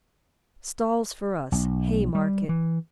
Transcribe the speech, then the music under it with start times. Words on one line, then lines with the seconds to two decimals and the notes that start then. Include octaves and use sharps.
Stalls for us, Haymarket.
1.52 B1
2.15 G3
2.49 E3